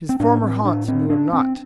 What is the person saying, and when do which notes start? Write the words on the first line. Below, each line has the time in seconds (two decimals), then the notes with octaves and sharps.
His former haunts knew him not.
0.09 C4
0.20 A2 D4
0.42 C4
0.65 D4
0.88 C4
1.10 D4
1.33 C4